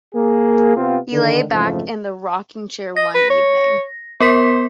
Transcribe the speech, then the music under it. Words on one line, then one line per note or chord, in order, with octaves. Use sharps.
He lay back in the rocking-chair one evening.
A#3 G#4
C3 B3 C4 F4
D3 D#3
F2 G#2 C#3 E3 F3 A3
D#5 A#6
B4
C#5
B3 A#4 C5 B6